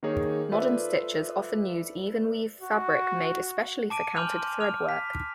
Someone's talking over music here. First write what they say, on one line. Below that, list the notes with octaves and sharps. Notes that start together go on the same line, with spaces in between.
Modern stitchers often use even weave fabric made especially for counted thread work.
D#3 A#3 D#4 G#4 C#5
F4 A4 B4 C5 D5 E5
F#4
A5 D6 D7 D#7
G#5 C6 D6 F6 G6 F7
D6 F6 F7
B6